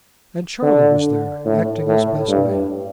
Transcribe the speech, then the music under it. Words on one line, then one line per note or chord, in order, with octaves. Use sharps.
And Charley was there, acting as best man.
D3
A2
A2
G2